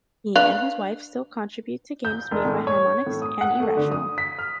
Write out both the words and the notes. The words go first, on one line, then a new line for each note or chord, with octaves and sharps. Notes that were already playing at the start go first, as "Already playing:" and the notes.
He and his wife still contribute to games made by Harmonix and Irrational.
D4 B4 F5
G6
E1
A2
C#5
A2
D#6
F#5
A3
D3
D#6
B6
F6